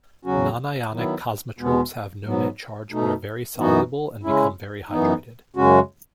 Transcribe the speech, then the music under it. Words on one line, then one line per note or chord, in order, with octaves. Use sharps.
Nonionic kosmotropes have no net charge but are very soluble and become very hydrated.
E2 C#3 F#3 C#4 F#4
D#3 F#3 B3 E4
E2 B2 G#3 B3
G#2 F#3 B3
B2 A3 D#4
F#2 E3 B3 D#4 F#4
C#3 G#3 C#4 E4
F#2 E3 B3 D#4
F#2 C#3 G#3 C#4 F#4